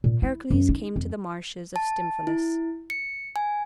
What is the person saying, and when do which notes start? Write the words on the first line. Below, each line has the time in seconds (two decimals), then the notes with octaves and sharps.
Heracles came to the marshes of Stymphalus.
0.04 A#2
0.22 E4
0.50 F#2
0.69 D#4
0.96 F2
1.76 A5
2.27 E4
2.90 C#7
3.36 G#5